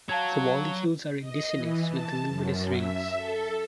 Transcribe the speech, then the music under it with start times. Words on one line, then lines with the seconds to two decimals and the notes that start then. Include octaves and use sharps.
The molecules are in dissonance with the luminous rays.
0.09 F#3 F5 A5 G#6
1.20 D#5
1.54 E3
1.89 A5
2.27 F#2
2.72 E5
3.16 A4